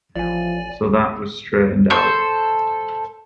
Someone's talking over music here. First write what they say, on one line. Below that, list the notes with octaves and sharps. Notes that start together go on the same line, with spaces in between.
So that was straightened out.
A1 F3 D5 G#5
A4 C5 C#6